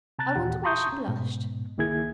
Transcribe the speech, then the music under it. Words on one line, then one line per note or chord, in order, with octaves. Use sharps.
I wonder why she blushed.
C3 A5 A#5 F#6 A6
D#2 A#2 E3 G4 F#5
A5 A#5 C6 C#6 D#6 G6
C#4
G#2 B2
C#2 D#3 A#3 E4 G#4 G#6